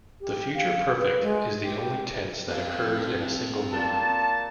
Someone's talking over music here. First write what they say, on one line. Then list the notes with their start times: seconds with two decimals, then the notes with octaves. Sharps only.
The future perfect is the only tense that occurs in a single mood.
0.21 G4
0.55 F5
0.99 B4
1.22 G#3
1.61 G4
2.49 C4 F5
3.73 A#2 A5